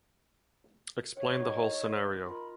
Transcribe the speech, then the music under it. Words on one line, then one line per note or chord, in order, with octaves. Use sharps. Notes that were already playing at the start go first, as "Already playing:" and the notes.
Explain the whole scenario.
C#5 F#5
D#4 F#4 D#5
F4 A#4 B5